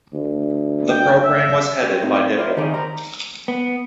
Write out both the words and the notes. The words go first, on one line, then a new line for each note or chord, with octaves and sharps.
The program was headed by Dipl.
D2
G5
E5
C#4 F#4 G4
A2 C4 D#4
E4 F4 A#4 C5 D5
D#3 D#4 G4 G#4 D5
A#4 C5 A#5
B3